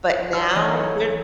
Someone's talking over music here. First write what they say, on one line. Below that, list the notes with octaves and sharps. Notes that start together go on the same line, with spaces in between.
But now you're
F#3 D#4 D5 E6 F6
E3 C#5 D#5
C#3 F#3 E4 A4